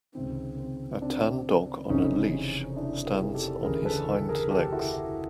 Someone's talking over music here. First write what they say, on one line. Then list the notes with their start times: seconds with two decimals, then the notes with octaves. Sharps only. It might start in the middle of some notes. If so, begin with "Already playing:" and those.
A tan dog on a leash stands on his hind legs.
0.14 C#2 C3 D#3 C4
0.58 C4
1.02 C4 D4
1.89 F1 F2 C#3 E3 C#4 D#4
2.76 D4 E4
3.05 G#4 A#4
3.35 G4 A4
3.63 D2 C#3 E3 G#4 A#4
3.85 A4 B4
4.29 G#4 A#4
4.51 G4 A4
4.72 E4 F#4